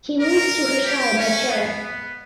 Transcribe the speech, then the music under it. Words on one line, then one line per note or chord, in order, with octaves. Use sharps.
He moves to her chai by chair.
A#4
G4
C#4
B3
B3